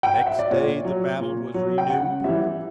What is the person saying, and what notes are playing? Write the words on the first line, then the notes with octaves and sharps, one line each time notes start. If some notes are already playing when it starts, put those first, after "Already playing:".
The next day the battle was renewed.
G5
F#5
E5
D5
A#2 C#5
F#3
A#2
F#3
G5
C#3 F#5
E3 G3 E5